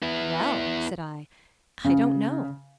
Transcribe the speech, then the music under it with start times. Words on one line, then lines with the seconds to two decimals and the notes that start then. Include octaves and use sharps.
"Well," said I, "I don't know."
0.02 B3 E4
1.84 C#3